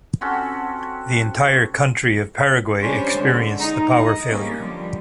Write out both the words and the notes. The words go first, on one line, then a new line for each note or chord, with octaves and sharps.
The entire country of Paraguay experienced the power failure.
C4 C#4 F#4 A4
G3 C#4 D4 C5 C#5
D3 G#3
D#4
D#5
G3 A#3 C#4
D3 F3 G3